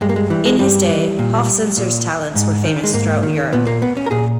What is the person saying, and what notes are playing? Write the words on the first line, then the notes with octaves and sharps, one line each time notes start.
In his day, Hofzinser's talents were famous throughout Europe.
G2 G#3
A#3
G#3
E3 G3
G#3
G2 G3
E3
A#2
A#2
G#2
D#3
G#3
G#2 A#3
D#3
A#2 B3
A#3
B3
C#4
A#4
A#2 G#4